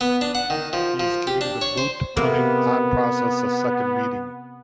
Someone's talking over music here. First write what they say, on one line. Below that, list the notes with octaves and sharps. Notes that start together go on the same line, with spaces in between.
He is giving the boot-putting-on process a second meaning.
B3
D4
F#5
D#3
F3
F3
G4
D4
C#5
C5
C3 A#3 B3